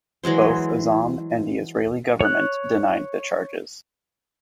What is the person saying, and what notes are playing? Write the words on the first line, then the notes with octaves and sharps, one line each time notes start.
Both Azzam and the Israeli government denied the charges.
E3 F#3 G#3 C5
C#5 F#6